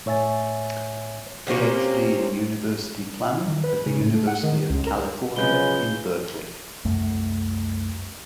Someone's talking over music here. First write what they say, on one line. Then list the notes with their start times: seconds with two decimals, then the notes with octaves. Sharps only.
A PhD in University Planning at the University of California, in Berkeley.
0.06 A2 C#5 E5 G#5 A6
1.47 C3 A#3 C4 C#4
3.48 D#3
3.64 B4
3.86 C#3
4.00 A2
4.14 A3
4.27 F#5
4.43 D#3
4.70 C#2
4.87 A#4
5.36 C#3 F3 F#3 G#3 B4 G6 G7
6.85 C2 F#2 A3